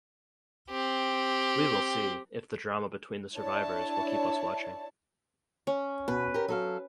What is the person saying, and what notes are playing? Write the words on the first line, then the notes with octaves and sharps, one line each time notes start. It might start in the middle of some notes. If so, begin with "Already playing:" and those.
We will see if the drama between the survivors will keep us watching.
C4 G4
D4 E4 C#5 A5
C#4
B2 B4
G4 A#4
F#3 A4 F5